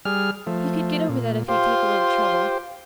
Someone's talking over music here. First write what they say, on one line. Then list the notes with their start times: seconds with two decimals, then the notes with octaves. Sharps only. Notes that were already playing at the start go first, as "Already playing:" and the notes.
He could get over that if he'd take a little trouble.
0.05 G3 G#4 F6
0.47 F3 A3
1.09 A#2
1.48 F4 G4 C5